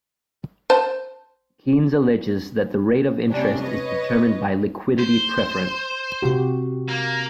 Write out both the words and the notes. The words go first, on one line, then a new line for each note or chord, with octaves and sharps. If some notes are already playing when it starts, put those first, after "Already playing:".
Keynes alleges that the rate of interest is determined by liquidity preference.
C5 A5
C3 G3 C#4 D4
B4 C#5 D#5
C5
C3 F#4 G4
A#3